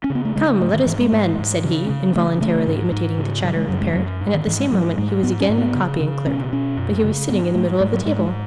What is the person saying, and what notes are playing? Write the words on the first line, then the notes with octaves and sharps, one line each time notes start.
"Come, let us be men!" said he, involuntarily imitating the chatter of the Parrot, and at the same moment he was again a copying-clerk; but he was sitting in the middle of the table.
C#4
C#3
B3
A3
C#3 G#3
G#2 A3
D#3
G#2 E3
G#3
G#2
G#2
C#3
C#3
C#3 A3
C#3 A3
G#2
G#2
C#3
C#3 F#3
G#3
F#2 F#3
G#3
F#2 F#3
G#2
D#3
G#2 E3
G#3
G#2 F#3
G#2 G#3
G#2 B3
C#4
G#2
B3
C#3
C#3
B2 C#4
B2 C#4
F#2
C#3
G#2 B3
G#2 A3
G#2 G#3
F#3
G#2 G#3
G#3